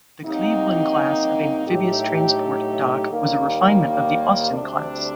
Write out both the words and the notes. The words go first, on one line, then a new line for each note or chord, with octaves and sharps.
The "Cleveland" class of amphibious transport dock was a refinement of the "Austin" class.
C3 F#3 A#3 D#4 G4
A2 F#3 A3 D#4 G4
D#2 D#3 G3 A#3
D2 C3 G3 D4